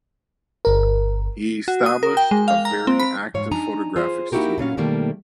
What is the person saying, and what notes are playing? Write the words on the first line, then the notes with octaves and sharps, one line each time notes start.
He established a very active photographic studio.
G1 A#4
F#4
D#6
A#4
G5
G#3
F5
A#5
C4
B5
G#2 C#5 F5
D4 D#4 G#5 A#5
F4 G#4 C5
A#3 D#4 E4 F#4 G4 A#4
A#2 F#3 C#4 F5
B2 D#3 G3 A3 A#3